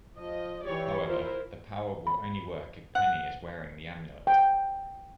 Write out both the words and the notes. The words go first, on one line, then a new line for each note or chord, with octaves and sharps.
However, the power will only work if Penny is wearing the amulet.
F3 D#5
E3 G4 C#5 D5
E4 F4 A#4 C5
B5
F#5
G5